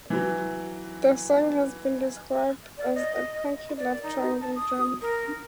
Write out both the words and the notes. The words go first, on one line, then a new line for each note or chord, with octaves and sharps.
The song has been described as "a punky love triangle jam".
E3 F#3
D5
D#5
D5
D#4
A5
D#6
A#4